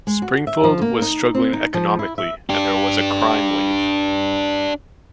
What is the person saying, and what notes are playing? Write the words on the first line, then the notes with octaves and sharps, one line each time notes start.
Springfield was struggling economically, and there was a crime wave.
G#3
F#4
E5
F3
A#3
D#4
C4
D#4
F3
E4
E5
D4 G4